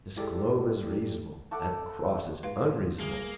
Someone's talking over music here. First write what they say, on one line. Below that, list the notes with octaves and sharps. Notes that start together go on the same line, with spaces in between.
This globe is reasonable; that cross is unreasonable.
G#3 E4 G4 A4 D5
A3 F#5 D6
G#2 F#4 B4 F5 F#5 C6
G3 A#3 G#4